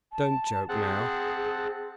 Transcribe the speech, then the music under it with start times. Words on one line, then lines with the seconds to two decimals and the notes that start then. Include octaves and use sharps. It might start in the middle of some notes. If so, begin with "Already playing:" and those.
Don't joke now.
0.12 A5
0.69 C4 G#4 F#5 A5